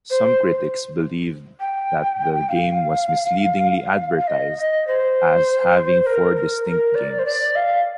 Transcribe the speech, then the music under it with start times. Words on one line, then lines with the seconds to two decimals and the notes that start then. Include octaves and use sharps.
Some critics believed that the game was misleadingly advertised as having four distinct games.
0.10 C5
1.60 G5
2.49 F5
4.18 F5
4.27 D#5
4.58 D#5
4.87 C5
6.06 A#4
6.36 A#4
6.65 A#4
6.95 D5
7.19 C5
7.25 D5
7.56 F5